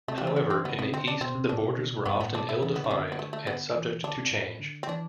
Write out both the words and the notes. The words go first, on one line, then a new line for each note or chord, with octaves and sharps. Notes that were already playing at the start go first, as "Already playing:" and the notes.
However, in the east the borders were often ill-defined and subject to change.
C3 A3
G3
E3 A3
B3
C4
D3 B3
C3 B3
D3 C4
D4
B2 C4
C3
B2
A2 D4
B2
G2 B3
A2 B3
B2 D4
E4
E3 B3
D3 B3
C3 A3
D3 B3
B3
A3
A3
B3
E3
D3 D4
C3
A2
D3
C4
E3 D4